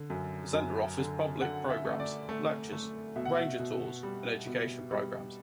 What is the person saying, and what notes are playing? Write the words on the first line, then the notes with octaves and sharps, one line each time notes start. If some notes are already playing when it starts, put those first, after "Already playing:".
The center offers public programs, lectures, ranger tours and education programs.
Already playing: D3
F#2
F#2
D3
D3 F#5
E5
A3
D5
A3
A3
B2 E5
F#5
E5
B2
G3
B2
G3